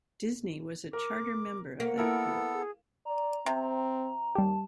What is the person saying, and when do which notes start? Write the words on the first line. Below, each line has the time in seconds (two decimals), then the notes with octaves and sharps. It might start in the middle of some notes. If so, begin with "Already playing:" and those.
Disney was a charter member of that group.
0.93 A#4 D6
1.80 A#3 F#5
1.98 B3 E4 A4 A#4
2.53 G#4
3.05 D5 A#5
3.46 C3 C4
4.35 D#2 G3 G4 A5